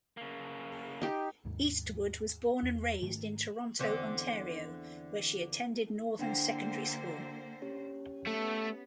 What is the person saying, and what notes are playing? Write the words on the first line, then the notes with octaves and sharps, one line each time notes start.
Eastwood was born and raised in Toronto, Ontario, where she attended Northern Secondary School.
C#3 A#3
D#4 G4
D#2 G#2
E2
G#2 D#3 A3
E2 D3 C4
D3 A#3 D4 C5 F#5 G5
C#4 G4 C#5
A3 B3